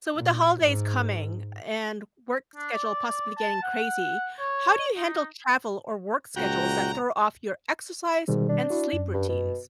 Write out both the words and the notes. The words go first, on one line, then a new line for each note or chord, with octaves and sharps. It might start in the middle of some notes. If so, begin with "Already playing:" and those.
So with the holidays coming and work schedule possibly getting crazy, how do you handle travel or work schedules that throw off your exercise and sleep routines?
A#2
G#2
D4
D5
A5
F#5
C#5
D#4
C#2 A#2 F#4 G5 A#5
G#2 B2 D#3 G3
D4
E4 F#4
F#2
G2
B2